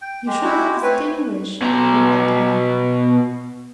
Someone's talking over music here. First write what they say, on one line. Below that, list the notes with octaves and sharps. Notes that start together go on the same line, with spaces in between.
"You should have distinguished," replied Anne.
G5
G#3 G4
E4 F#4
A3 C4 B4 C#5 G#5
B2 A#5